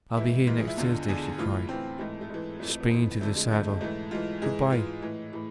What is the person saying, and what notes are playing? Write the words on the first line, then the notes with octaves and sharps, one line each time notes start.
'I'll be here next Thursday,' she cried, springing to the saddle. 'Good-bye.
G#2 E3 E4
G#2 E3 F4
G#4
E4
E2 D3 F4
E2 D3 G#4
A2 E3 F4
A2 E3 C4
G#2 E3 A3
A3
G#2 E3 G#3
F2 E3 A3
A3
B3
F2 E3 B3
F2 D3 A3
G#3
F2 D3 A3
G#3
G#2 E3 A3
G#2 E3 F4
G#2 E3 G#4
G#2 E3 F4
A2 E3
A2 E3